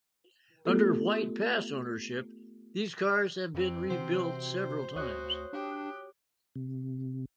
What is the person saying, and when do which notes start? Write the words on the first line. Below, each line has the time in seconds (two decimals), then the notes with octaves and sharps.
Under White Pass ownership, these cars have been rebuilt several times.
0.65 A3 B3 F4 G4 A4
3.54 F2 C4
3.91 C3 E3 F#4 C5
4.96 D2 F#4 C#5 D#6 F#6
5.53 D4 G4
6.56 C3